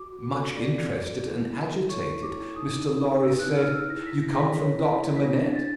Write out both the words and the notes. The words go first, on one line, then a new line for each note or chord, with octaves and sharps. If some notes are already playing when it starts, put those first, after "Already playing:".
Much interested and agitated, Mr. Lorry said: "You come from Doctor Manette?"
Already playing: F#4 D6
F#4
D6
A4
D5
F#4
F#4
E4
E4
A4
C#5 C#6
E4
D6
E4
D#4 D#6
D#4
G4
B4 E6
F#6
D#4
F6
D#4
E6
E4 A#6
B6
E4
A#6
G#4
B6
C#5
E4
E4
B6
D4 A#6
D4
A6